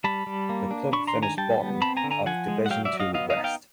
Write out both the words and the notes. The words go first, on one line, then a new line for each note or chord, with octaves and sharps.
The club finished bottom of Division Two West.
G3 A5 B5
G3
A#3
D4
D4 B5 C#6
A#5 C6
D#3
G#5 A#5
G3 G5 A5
B3
C4 A5 B5
G#5 A#5
D3
G#5 A#5
F3 F#5 G#5
G#3
F#5
F#3 F5 G5
D5 E5
F#3
D#5 F5
B3 D#5 F5
D#5 F5
D#4
F5 G5